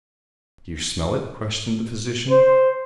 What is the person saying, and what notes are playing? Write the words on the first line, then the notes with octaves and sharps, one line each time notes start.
"Do you smell it?" questioned the physician.
C5